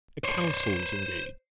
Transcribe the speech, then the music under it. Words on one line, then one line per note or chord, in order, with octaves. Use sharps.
A counsel is engaged.
C5 C#5